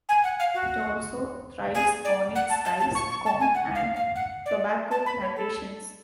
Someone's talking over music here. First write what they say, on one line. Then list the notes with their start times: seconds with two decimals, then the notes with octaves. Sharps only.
It also thrives on its rice, corn and tobacco plantations.
0.09 G#5
0.24 F#5
0.39 F5
0.54 F#4
1.75 G#4
2.05 D5
2.35 F#5
2.50 A5
2.65 A5
2.80 A5
2.95 C#6
3.10 C#6
3.26 A5
3.40 G#5
3.55 F#5
3.75 F5
3.96 F5
4.16 F#5
4.46 D5
4.91 A5
5.06 B5
5.21 C#5
5.36 A4